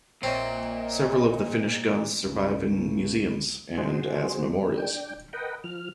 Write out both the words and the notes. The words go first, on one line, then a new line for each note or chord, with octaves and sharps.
Several of the Finnish guns survive in museums and as memorials.
A#1 A#2 C4 C#5 D#5 E5
C#2
F#4 G#4 C5
D4 G5
A#4 B4 D#5 F#5 G5
F3 F6